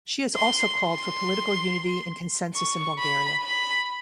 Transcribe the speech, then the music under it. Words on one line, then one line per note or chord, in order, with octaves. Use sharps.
She has also called for political unity and consensus in Bulgaria.
C6
C6
C#6
B5
B5